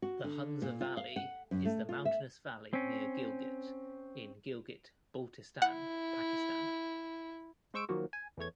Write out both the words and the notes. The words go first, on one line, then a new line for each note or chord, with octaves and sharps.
The Hunza Valley is the mountainous valley near Gilgit in Gilgit-Baltistan, Pakistan.
F#4
D3
A#2
F4
F5
F#5
F#2
A3
F4
E5
C4 C#4
E4 F#5
G#3 C5 C#6 E6 D7
D#3 F3 F#3 A#3 F#4
G#5
E2 E3 A3 C#5 G#6